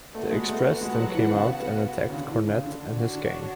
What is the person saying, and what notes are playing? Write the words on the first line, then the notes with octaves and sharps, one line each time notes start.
The Express then came out and attacked Cornette and his gang.
A3 B3 F#4 B4 F#5 A5
A3
G#3
A3
A3
G#3
F#3
E3
C#3
C#3
D3
E3
C#3
D3
D3 D4 F#4 C#5
D3